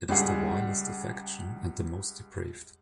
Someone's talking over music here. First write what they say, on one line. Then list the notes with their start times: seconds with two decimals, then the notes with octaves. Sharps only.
It is the vilest affection, and the most depraved.
0.09 C#2 G3 G#3 G#4 F#5 C7